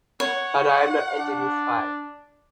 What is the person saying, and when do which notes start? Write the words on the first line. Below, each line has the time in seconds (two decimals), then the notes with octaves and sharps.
But I am not ending this fight.
0.20 C#5 F#5
1.17 D4